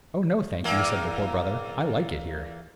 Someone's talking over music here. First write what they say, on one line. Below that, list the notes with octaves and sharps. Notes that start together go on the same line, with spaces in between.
"Oh no, thank you," said the Poor Brother, "I like it here."
E2 A#3